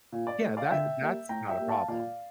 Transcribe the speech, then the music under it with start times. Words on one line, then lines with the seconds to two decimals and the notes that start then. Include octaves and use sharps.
Yeah, that that's not a problem.
0.12 A#2
0.27 D5
0.42 A3
0.57 D5 F5
0.71 D3 E5 G5
1.01 G3 A#3
1.29 A2 G5 A#5
1.49 E5 G5
1.59 G3 A#3
1.69 F5 A5
1.88 A#2 D5 F5